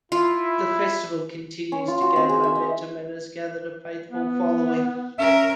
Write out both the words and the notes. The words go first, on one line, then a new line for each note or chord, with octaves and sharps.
The festival continues to gain momentum and has gathered a faithful following.
E4 F4
C#4
F4
F#4
C4
G#4
E5
D#5
B3
C#4 A#4 E5